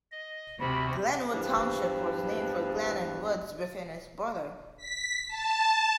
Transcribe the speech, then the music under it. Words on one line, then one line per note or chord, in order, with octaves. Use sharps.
Glenwood Township was named for the glen and woods within its borders.
D#5
D2 C3 F#4 B5
E2 G2 E3 F3 B4
B6
A5